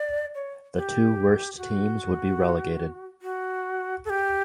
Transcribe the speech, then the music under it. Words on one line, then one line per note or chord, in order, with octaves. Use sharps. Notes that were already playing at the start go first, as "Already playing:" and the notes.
The two worst teams would be relegated.
Already playing: D5
C#5
G4
F#4
F#4
A4
G4